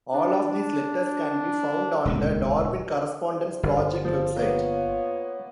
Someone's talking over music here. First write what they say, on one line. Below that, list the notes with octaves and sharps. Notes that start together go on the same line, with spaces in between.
All of these letters can be found on the Darwin Correspondence Project website.
D4
D#1 C#2 D#3
E2 C5
G1 A#2
F3 F4 C5
A#3 B3 C#5